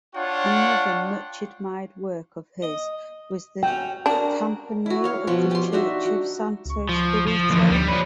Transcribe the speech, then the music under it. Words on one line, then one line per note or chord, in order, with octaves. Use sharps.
Another much-admired work of his was the campanile of the church of Santo Spirito.
D4 F4 C#5 F#5 G5
D#5
F#3 C#4 G5
D4 F#4 A#4
E4 F#4
C#5 F5
B2 F3 C#6
G4 C6
D4 D#4 F#4 E5
F#4
C#2 C#6
F3
F3
D#2 D3 E3 F3 D#6
D2 G3 B6 C#7
F3 B4 C#5